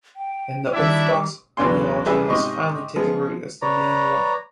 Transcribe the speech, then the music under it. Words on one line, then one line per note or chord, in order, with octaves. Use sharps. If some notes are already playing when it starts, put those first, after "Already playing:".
And the Orthodox ideology has finally taken root as the main one.
G5
D#3 G3 D4 E4 E5 D6
B1 E2 B2 D4 G#5 C6
A1 G3 G#4 B4 E5
G#2 C3 D#5 C#6
F3 G#3 B3
B4 C#5 D5 A#5